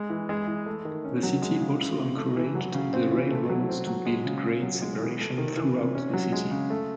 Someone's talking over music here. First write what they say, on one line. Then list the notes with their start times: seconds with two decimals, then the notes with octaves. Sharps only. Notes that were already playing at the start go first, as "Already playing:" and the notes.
The city also encouraged the railroads to build grade separation throughout the city.
Already playing: G#3
0.10 E3
0.29 G#3
0.47 E3
0.66 A3
0.85 D#3
1.05 C#4
1.23 F#3
1.42 G#3
1.61 C#3
1.80 E3
1.99 C3
2.17 A3
2.36 E3
2.55 F#3
2.74 C#3
2.93 C4
3.12 E3
3.31 A3
3.49 F#3
3.69 C4
3.87 F#3
4.06 G#3
4.25 C#3
4.44 C#4
4.62 F#3
4.82 G#3
5.01 E3
5.20 A3
5.38 D#3
5.57 E3
5.76 C3
5.95 C#4
6.13 F#3
6.32 G#3
6.51 C#3
6.70 A3